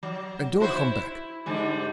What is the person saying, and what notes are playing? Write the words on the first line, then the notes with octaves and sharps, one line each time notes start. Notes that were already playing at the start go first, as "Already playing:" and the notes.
And don't come back.
F#3
E4 F#4 C5
E4
G#2 D3 G3